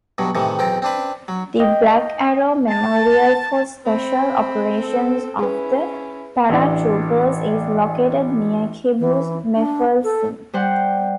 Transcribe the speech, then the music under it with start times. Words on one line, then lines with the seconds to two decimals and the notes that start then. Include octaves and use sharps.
The "Black Arrow"-memorial for special operations of the paratroopers is located near kibbuz Mefalsim.
0.18 G2 B2 F#3
0.35 A2 C3 D#3 E3
0.59 B1 E2 C4 G5 A#5
0.82 C4 D4 B4
1.28 F#3
1.59 D#5 G5
2.69 A5
3.85 C4 B5
4.80 A4
5.39 C#4 E4 G#4 B4
6.50 A1 D4
8.99 E3
9.56 D4
10.04 A4
10.53 G3 C5 F#5